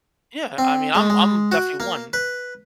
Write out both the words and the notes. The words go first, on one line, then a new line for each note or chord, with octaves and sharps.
yeah, I mean, I'm I'm definitely one.
C4
G#3
G#3
F#4
A#3
B4